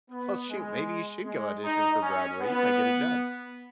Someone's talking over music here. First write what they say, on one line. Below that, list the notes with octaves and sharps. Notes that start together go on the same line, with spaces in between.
Well, shoot maybe you should go audition for Broadway. You might get a job.
B3
G#3
G#3
D#4
C#4
B3